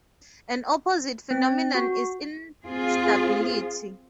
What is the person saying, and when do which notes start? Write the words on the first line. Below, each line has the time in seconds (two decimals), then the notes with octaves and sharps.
An opposite phenomenon is instability.
1.31 C4
1.75 F#4
2.64 C4 F4 G#4